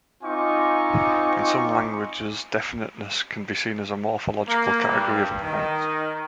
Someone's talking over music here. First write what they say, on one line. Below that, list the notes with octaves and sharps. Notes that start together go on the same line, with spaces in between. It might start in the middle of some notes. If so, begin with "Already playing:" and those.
In some languages definiteness can be seen a morphological category of nouns.
C4 D#4 F4 G#5 C#6 D6
A#3
G2
D#3